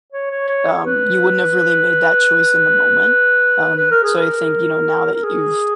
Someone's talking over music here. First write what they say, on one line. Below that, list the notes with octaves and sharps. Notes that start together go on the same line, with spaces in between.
um, you wouldn't have really made that choice in the moment. Um, so I think you know now that you've,
C#5
C#5
C#5
B4
B4
A#4
G#4
A#4
A#4
G#4